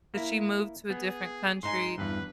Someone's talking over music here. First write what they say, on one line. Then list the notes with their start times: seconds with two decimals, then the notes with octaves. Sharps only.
But she moved to a different country,
0.14 A#3 E4
0.90 B3 G#4
1.63 G#2 D#4 G#5 C6
1.98 E2 G2 B4